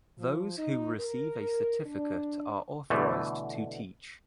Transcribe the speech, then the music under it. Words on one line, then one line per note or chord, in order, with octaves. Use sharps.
Those who receive a certificate are authorized to teach.
F3
D#4
A#4
D4
B2 D3 E3 A3